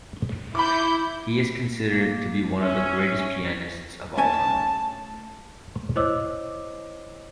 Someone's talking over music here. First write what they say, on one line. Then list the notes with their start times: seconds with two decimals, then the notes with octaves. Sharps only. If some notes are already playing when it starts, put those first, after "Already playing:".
He is considered to be one of the greatest pianists of all time.
0.55 E4 B5 D6 G6
1.86 A#3
2.61 C#4 E5
4.18 A3 C#4 G#5 A5
5.96 E4 C5 C#5 D#5 D6 E6